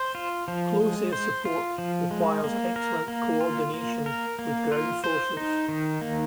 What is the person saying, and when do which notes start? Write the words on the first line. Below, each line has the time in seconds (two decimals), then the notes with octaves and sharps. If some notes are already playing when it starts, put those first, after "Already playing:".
Close air support requires excellent coordination with ground forces.
Already playing: C5
0.15 F4
0.48 F3
0.80 G#3
1.13 C5
1.45 F4
1.78 F3
2.11 G#3
2.44 A#3
2.76 A#4
3.08 A#3
3.41 F4
3.74 A#3
4.06 A#4
4.39 A#3
4.72 F4
5.04 C5
5.37 D#4
5.68 D#3
6.01 A#3